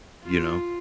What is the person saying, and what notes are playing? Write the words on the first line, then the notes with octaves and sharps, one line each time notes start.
You know?
F4